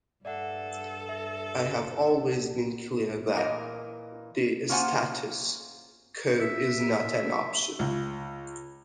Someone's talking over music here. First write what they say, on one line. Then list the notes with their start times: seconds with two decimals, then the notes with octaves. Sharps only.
I have always been clear that the status quo is not an option.
0.25 G2 A4 D5 E5 F#5
1.09 E5
3.35 A#2 E3 A#4 D#5
4.69 A#3 C#4 F4 C5 F#5 G#5
6.41 E5
7.79 C#2